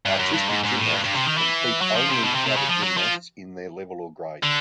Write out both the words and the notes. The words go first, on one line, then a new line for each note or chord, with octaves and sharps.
Artistic gymnasts compete only with other gymnasts in their level or grade.
G2
F#2
G2
G#2
G#2
A2
G2
G2
C3
D#3
E3
F#3
F3
C3
B2
C3
C3
C#3
F3
F#3
F3
D3